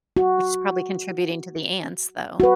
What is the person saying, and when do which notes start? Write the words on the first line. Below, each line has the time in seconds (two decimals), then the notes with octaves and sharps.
which is probably contributing to the ants, though.
0.17 F#4
2.40 F#4 B4